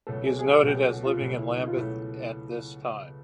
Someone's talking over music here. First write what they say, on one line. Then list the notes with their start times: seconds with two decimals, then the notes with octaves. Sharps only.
He is noted as living in Lambeth at this time.
0.07 C#2 B2 F#3 A3 A4
0.25 G#4
0.39 G#4
0.44 G4
0.58 F#4
0.63 C#2 B2 F#3 A3 G4
0.77 G#4
0.91 F#4
1.05 F4
1.19 C#2 B2 F#3 A3
1.38 E4
1.57 D#4
1.68 F4
1.76 C#2 B2 F#3 A3 E4